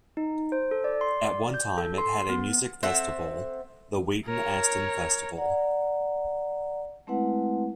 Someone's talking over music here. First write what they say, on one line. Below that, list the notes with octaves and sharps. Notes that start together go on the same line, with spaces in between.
At one time it had a music festival, the Wheaton Aston Festival.
D#4
C5
A4
D5
C6
D5
G6
A4
C6
B3
C4 A4 E5 F#5
A#4 C#5
D5 F#5 A#5
G#3 A3 C4 E4 B4 F#5